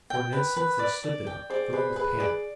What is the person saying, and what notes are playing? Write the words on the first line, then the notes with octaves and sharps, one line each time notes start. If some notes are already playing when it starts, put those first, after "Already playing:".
For an instant they stood there, filled with panic.
G5
B4
B4
D5
D5
G5
G#4 C5 D5
G#4 B4 C5
G#4 B4
G#4 D5